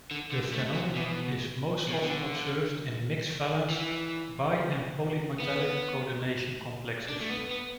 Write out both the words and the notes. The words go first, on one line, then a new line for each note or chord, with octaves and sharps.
The phenomenon is most often observed in mixed-valence bi- and polymetallic coordination complexes.
D3
D3
A3
F#3
B2
B2
D3
E3
B3
D4
A3
B3
B3